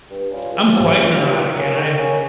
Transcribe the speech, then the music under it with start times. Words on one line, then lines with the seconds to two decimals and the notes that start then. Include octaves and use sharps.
I'm quite neurotic, and I
0.11 G2
0.31 G3 C#4 F4
0.52 C#2
0.72 C3 G3 C#4 F4
0.93 C#2
1.14 C3 G3 C#4 F4
1.35 D#3
1.56 A#3 C#4 G#4 C#5
1.77 D#3
1.97 A#3 C#4 G#4 C#5